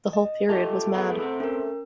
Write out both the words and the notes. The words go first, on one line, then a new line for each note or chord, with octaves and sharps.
The whole period was mad!
D#5
A3 F4 G4 A4
B3 E4 G#4 F#5 B5
C4 E5
A3 C#4 A#4